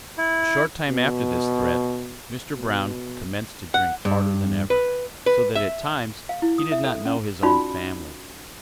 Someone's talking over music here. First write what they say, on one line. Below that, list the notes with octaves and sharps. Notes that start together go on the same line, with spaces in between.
A short time after this threat Mr. Brown commenced to drink harder than ever, so that at times he did not know his own family.
E4
B2
B2
F#5
G2
B4
B4
E5
F5
E4
D#6
E5
A4
C#4
C#4 D#4 F4 F#4 D5 B5